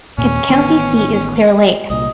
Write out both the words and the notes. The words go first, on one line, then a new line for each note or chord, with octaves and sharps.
Its county seat is Clear Lake.
D#2 A#2 C#4
A1 D#3 B3
C2 A#2 D#5